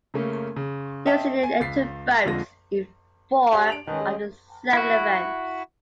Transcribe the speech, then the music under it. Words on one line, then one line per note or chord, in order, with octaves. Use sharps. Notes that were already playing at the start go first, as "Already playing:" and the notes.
New Zealand entered boats in four of the seven events.
C#3 A3 A#3 C#4
C#3
D#5 E5 G5 A5
G#5
C#2 A6 B6 C7
F2 D3 G#3 F4 A#6
G4 C#5 F5
D4 D7 F7 F#7
D#3 G#3 C#4 B4 D#5 A5
G#4
E4 F#4